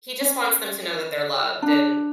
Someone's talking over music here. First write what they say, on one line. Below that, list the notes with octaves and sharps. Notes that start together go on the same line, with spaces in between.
he just wants them to know that they're loved and
C#4
D4